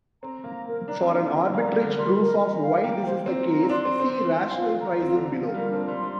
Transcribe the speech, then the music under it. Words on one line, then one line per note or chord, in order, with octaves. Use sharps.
For an arbitrage proof of why this is the case, see Rational pricing below.
C4 A#5
A#3 A#5
A#4
D4 A#5
C4
A#3 D4
C4 A#5
A#3 D5
G3
A#4
D3
G3 C6
A#4
A#4
F5
A#3 G5
C5
C4 C5
A#5
C4
D4 C6
C4
C5
C4
C6
F5
F4
A#5
C4 F4
D3
F4
F3
F3 A#4
G3
A#3
D4
C4
G3 C6
G3